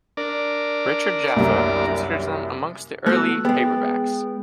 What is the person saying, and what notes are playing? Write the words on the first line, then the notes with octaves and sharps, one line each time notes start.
Richard Jaffa considers them "amongst the early paperbacks".
D4 A#4 D5
C2 F#2 A#3
A3 B3 F#4 E6 F#6
G#3 B3 G#4 B4 G5